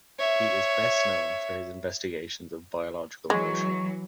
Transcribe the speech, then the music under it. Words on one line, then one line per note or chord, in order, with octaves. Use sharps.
He is best known for his investigations of biological motion.
C#5 E5
E3 F#3 G#3 C#6